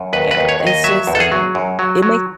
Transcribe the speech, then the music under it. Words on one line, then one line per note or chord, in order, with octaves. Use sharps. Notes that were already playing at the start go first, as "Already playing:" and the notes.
yeah, it's just, um, it makes
Already playing: F#2
D#2 B4
B4
D#2
C#5
D#2
D#5
F#3 E5
E2
A4
G#4
F#3
F#2
F#3
F#3